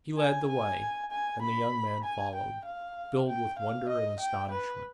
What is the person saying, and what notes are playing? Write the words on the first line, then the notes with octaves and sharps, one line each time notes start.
He led the way, and the young man followed, filled with wonder and astonishment.
G#5
G#5
G#5
B5
G#5
G5
F5
G5
F5
D#5
G5
B4